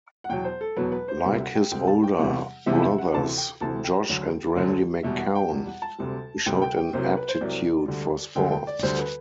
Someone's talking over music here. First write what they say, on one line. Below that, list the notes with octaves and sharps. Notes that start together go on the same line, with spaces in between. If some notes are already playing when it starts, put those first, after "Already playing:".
Like his older brothers Josh and Randy McCown, he showed an aptitude for sports.
F#5
E2 B2 F#3 G5
C5
A4
E2 B2 F#3 B4
B4
C5
D2 C3 G3 E5
F#5
G5
D2 C3 G3 G5
A5
G5
E2 C3 E3 G3 F#5
E2 C3 E3 G3 E5
E5
F#5
D2 C3 E3 A5
G5
D2 C3 E3 A5
G5
D2 D3 F#3
D2 D3 F#3
E2 B2 G3 E5
F#5
G5
E2 B2 G3
F#5
A5
D2 C3 G3
D2 C3 G3 G5
G5
G5
C2 C3 F#3 C5
B4
B4
C5
C2 C3 F#3 D5
D2 D3 G3
D2 D3 G3 G5
G5
D5
D2 D3 G3 C5
B4